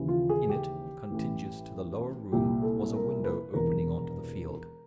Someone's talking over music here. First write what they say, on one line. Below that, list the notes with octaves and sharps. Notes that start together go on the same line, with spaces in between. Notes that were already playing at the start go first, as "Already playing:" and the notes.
In it, contiguous to the lower room, was a window opening on to the field.
Already playing: D#2 C#3 E3
F4
G#4
G4
A1 A2 E3
C2 A#2 G4
A4
A#4
B4
E1 E2 C3 A#4